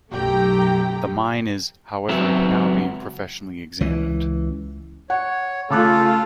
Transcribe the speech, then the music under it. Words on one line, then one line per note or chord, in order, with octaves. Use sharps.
The mine is, however, now being professionally examined.
B1 F#2 A3 G4 G5 A#5
C#2 F#3 B3 C4 E5
C#2 E3
C#5 F#5
C#3 A3 F4 A4 D6 F#6